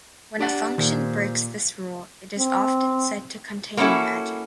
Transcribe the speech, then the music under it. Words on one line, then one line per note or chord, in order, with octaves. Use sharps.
When a function breaks this rule, it is often said to contain "magic".
D4 G4 D5 F#5
A#2 D#3 C5
C4
A#3 B3 C#4 E4 F#4 A4